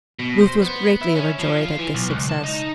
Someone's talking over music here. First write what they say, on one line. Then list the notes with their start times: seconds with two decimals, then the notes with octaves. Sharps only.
Booth was greatly overjoyed at this success.
0.19 B2
0.41 C5
0.62 B3
1.01 E4
1.16 C#4
1.39 F3
1.62 F4
1.78 E3
1.95 B1
2.10 C#2
2.29 A5
2.44 D#4